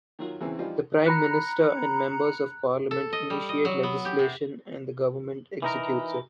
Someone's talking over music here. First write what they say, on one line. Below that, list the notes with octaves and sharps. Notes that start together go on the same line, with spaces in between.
The Prime Minister and members of Parliament initiate legislation and the government executes it.
D#3 F#3 F4
E2 C#3 E3 C4
E3 F3 G3 D#4 F4
A#5 B5 F#6 C#7
A4
D#5
G3
D#5
F#3
B3
G4
C3
E3 D#4 A#4